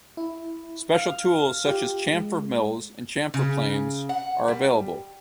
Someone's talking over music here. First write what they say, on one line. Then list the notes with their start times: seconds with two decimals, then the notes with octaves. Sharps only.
Special tools such as chamfer mills and chamfer planes are available.
0.17 E4
0.94 F5 F6
1.66 F4 G4
2.13 G#3
3.34 C#3
4.09 F#5
4.48 G3